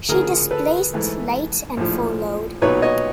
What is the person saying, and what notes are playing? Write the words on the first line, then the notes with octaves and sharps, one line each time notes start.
She displaced light and full load.
D2 C#3 F3 G#4 A#4
A4 B4
G#2 E3 A3
A#1 A2 F3
B1 A#2 F#3 B3 D#4 B4 C#5
C#5 D#5